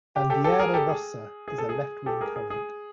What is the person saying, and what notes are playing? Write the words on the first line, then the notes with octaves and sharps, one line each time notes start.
Bandiera Rossa is a left wing current.
G4
G4 A4
G4 A4
G#4 A#4
G4 A4
G#4
G#4
A4
G#4
G4 A4
G#4 A#4
G#4
G#4